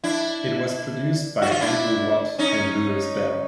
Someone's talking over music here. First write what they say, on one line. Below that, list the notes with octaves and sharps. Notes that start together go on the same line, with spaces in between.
It was produced by Andrew Watt and Louis Bell.
D4 E4
F#4
F4
D4 E4
C#4 D#4